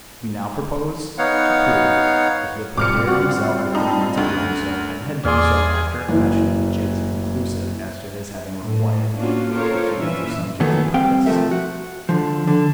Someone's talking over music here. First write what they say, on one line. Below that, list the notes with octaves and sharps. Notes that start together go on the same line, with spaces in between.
We now propose to prove that he had prepared himself with the means of doing so, and had done so after a fashion which is conclusive as to his having required the key for some guilty purpose.
B3 D#4 C#5 F5 F#5
G#2 B2 G3 C4 F4 D6 F6 C#7
F#4 F#5 C#6
D#4 G5 A5 B5
D2 F6
E2 G#4 D5 C6 F6
F#1 E3
A2
A#3 B3 C#4 D4 F4 F#4
F4 G4 A4 A#4 C5 C#5
A#2 E3 F3 C#4 B4 E5
A#2 D#3 E3 F#3 A3 B3
G3 C4 F5 G5
B1 F3 F#3 A3 A#4 E5
F#4
D3 F3
D3